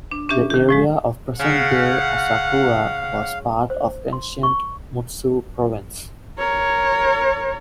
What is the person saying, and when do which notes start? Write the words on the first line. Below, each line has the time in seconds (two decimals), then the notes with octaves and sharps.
The area of present-day Asakura was part of ancient Mutsu Province.
0.11 D4
0.29 C#4 D4 G4 E5
0.50 D#3 G4
0.69 A2 F3 G#3
1.39 C#3 F5 F#5
3.70 C5
4.13 C6
4.43 C#6
6.39 A#4 C#5